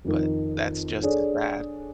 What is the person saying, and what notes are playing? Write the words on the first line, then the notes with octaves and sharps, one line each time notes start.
but that's just as bad.
F2 D#3
D4 G#4 A4 C#5